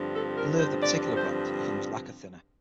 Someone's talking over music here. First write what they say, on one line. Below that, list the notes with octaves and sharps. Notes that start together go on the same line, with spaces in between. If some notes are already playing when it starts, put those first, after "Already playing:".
In lieu of their particular brand, you can use lacquer thinner.
Already playing: G2 D3 F3 C4
A4
A#4
C5
D5
C5